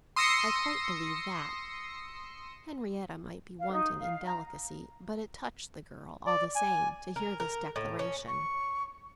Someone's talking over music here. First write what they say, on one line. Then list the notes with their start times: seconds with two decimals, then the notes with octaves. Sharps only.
"I quite believe that." Henrietta might be wanting in delicacy, but it touched the girl, all the same, to hear this declaration.
0.16 C6 D#6 E6 A#6 C7 C#7
3.59 F5
3.72 D#4
3.98 F5
4.25 A#5
6.26 D5
6.56 G#5
7.16 A#4
7.40 A#4
7.76 A2
7.99 C#4
8.28 C#6